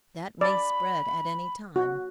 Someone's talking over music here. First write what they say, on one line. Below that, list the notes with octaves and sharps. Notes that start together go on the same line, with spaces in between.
That may spread at any time.
D5 B5
F#4